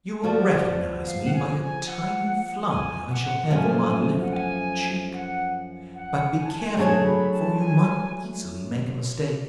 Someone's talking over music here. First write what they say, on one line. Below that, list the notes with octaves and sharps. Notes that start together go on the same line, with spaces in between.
'You will recognise me by a tiny fly I shall have on my left cheek, but be careful for you might easily make a mistake.'
F3 B3 F#4 D5
F5
F#5
G#5
G#5
F#5
G#5
F#5
F#2 F3 A3 G#5
F#5
G#5
F#5
F#5
G#5
A5
G#5
F#3 A3 D4 G#4 C#5 A5
B5
A5
G#5